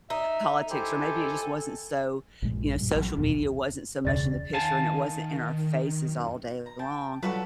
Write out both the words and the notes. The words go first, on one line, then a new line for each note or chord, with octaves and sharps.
politics or maybe it just wasn't so you know, social media wasn't so much in the picture, and it wasn't in our faces all day long.
D#4 E5
E4 G4 A4 C5 G#5
A#1 G2 A#2 G#3
G2 A#2
A#1 F#3
D1 A#1 E2 B2
E1 C#2 C#3 D5 A6
D#3 F5 G#5 A5
F#2
A#5
G5 A5
F#3 G3 F4 F#4 A4 B4